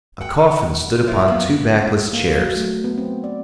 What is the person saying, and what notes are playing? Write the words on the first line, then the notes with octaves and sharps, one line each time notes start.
A coffin stood upon two backless chairs.
F#5 G5
E4 F4 A#4 C#5
A#3 B3
A#3
F#3
A3
B3
C4
D5